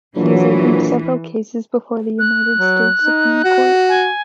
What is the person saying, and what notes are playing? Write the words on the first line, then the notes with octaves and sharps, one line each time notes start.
He has argued several cases before the United States Supreme Court.
A#1 E3 F#3
F#6
F#3
D#4
F#4
G#5